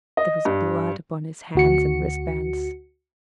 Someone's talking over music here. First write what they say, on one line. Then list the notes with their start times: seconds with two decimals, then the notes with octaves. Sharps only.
There was blood upon his hands and wrist-bands!
0.17 D#5
0.45 G2
1.55 D2 F#4 C#7